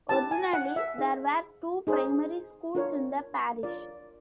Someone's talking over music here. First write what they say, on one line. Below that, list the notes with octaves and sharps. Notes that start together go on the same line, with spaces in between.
Originally, there were two primary schools in the parish.
E4 G4 B4 A5
G#5
F#5
E5
D#4 G#4 C5 F5
D#4 G#4 C5
D4 F4 A#4 C#5
D4 F4 A#4 C#5 D5